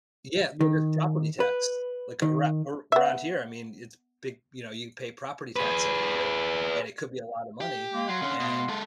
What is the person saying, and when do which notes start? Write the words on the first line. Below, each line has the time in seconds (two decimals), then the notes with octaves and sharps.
Yeah, well, just property tax, like, aroun around here, I mean, it's big, you know, you pay property tax every year, and it could be a lotta money, and
0.61 D#3
1.40 B4
2.22 D#3
2.92 B3 E5
5.56 G#4 B4
7.61 G4
7.93 G#3 A#3
8.08 F#3 F5 F#5 C6
8.22 D3 C#4
8.40 B2
8.69 G#3 A4